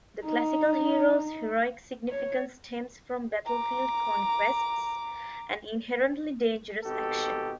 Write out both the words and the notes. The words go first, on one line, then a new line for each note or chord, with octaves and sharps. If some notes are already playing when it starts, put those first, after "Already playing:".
The classical hero's heroic significance stems from battlefield conquests, an inherently dangerous action.
D#4
C#5
A#5 D6
G#1 B2 G4 A4